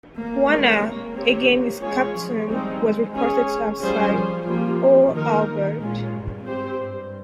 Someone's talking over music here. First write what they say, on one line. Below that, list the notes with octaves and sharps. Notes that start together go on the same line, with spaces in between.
Warner, again his captain, was reported to have sighed: Oh, Albert.
A#3
G#3 C4 G4 A#4 C#5
A#3
C4 G4 C#5
G#3 C#4 F4 G#4 C#5
F3
G3 G#3 C4 D#4
G#3
C#4 G#4 C#5
G3 C#4 F4 G#4 C5
F3
F3 G3 A#3 F4
D#3 A#3 D#4 A#4
D#3
A#2 G#3 C#4 F4
G2
G#2 C4 G4 C5
G2